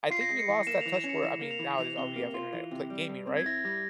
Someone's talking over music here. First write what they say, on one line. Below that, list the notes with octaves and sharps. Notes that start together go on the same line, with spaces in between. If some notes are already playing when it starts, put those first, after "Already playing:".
I think we lost that touch where I mean, now it's all we have Internet to play gaming, right?
F4 C7
A#6
G#3 C7
C#7
E3
A#3 E7
E3 F7
E7
C#4
C#7
E3 E7
A#3
F7
E3
E3 F7
C3 G7
A#3
F4
E3
C3
G3
G2
C4
G#6
E4 A#6
G3 A#6